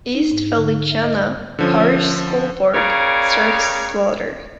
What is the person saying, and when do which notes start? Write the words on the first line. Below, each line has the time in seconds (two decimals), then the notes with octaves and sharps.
East Feliciana Parish School Board serves Slaughter.
0.15 D#4
0.31 G#2
0.57 D3
0.92 E5
1.04 D#5
1.59 D3 F3 C#4
2.75 C#3 G3 A#4 C#5 D5 F5